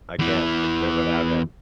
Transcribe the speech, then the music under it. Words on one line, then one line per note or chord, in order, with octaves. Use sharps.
I can't picture it without him.
E2 E3